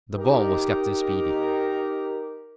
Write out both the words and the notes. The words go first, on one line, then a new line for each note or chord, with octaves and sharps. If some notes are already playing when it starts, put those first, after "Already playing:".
The bomb was Captain Speedy.
D#4 G4 A#4